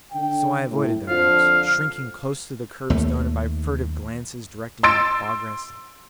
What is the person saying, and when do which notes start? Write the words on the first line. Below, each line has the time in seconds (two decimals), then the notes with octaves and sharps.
So I avoided their looks, shrinking close to the kerbstone and by furtive glances directing my progress.
0.12 D3 G5
0.69 A2
1.08 F2 D3 F3 F5
2.90 D#2 A3
4.83 C6 E6 A6 D7